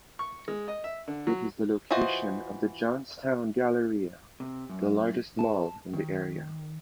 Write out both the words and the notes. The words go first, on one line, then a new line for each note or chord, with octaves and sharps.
It is the location of The Johnstown Galleria, the largest mall in the area.
C#6
G#3
D#5
E5
D3
F#3
E3 F4 F#4 C5 D#5
C3
F#2
A5
D#3